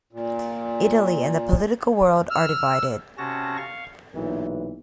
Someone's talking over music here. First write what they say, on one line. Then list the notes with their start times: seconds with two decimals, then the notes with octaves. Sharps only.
Italy and the political world are divided.
0.13 A#2
2.31 E6 F6
3.18 C3 C#4 F#4 A5 A#6
3.58 F5 C#6
4.15 B1 A#2 E3